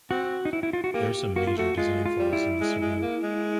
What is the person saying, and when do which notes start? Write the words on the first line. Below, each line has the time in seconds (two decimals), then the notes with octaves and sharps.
There are some major design flaws in the Serene.
0.11 C4 F#4
0.45 D#4
0.53 E4
0.63 E4
0.73 F4
0.84 F#4
0.94 A#3 G4
1.36 A#3 F#4
1.47 F4
1.57 A3 F#4
1.78 G#3 F4
2.06 F4
2.19 G3
2.33 E4
2.61 G#3
2.82 G#3
3.02 A#3
3.23 G#3